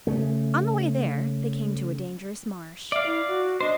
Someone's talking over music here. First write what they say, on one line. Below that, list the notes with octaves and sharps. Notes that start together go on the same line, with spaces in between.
On the way there they came to a dangerous marsh.
C#3 A3
D5 E5 F5
E4
F#4
D4 C5 D#5